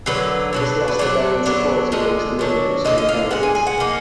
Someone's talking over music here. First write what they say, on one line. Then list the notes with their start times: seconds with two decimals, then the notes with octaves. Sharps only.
This lost the band support amongst many Christian fans.
0.06 D3 F#3 A#3 B4
0.53 B2 F#3 D4
0.88 B4
0.99 A#2 F#3 D4 D5
1.46 D3 F#3 B3 D4
1.92 D3 F3 G#3 D#5
2.39 D#3 F#3 D4
2.85 D3 F3 A#3 D#5
2.98 D#5
3.09 F5
3.31 A#2 G#3 F#5
3.43 G#5
3.55 G#5
3.67 F#5
3.78 F3 A#3 D#4